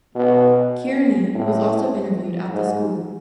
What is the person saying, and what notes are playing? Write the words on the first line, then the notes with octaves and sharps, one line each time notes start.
Kearney was also interviewed at the school.
B2
A2
G#2